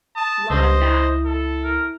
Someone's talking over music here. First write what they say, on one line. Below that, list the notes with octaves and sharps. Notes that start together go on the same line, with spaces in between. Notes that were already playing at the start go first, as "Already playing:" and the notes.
Lot of that.
A5 D#6
C#2 G2 C5 D#5
E4
A4
A#4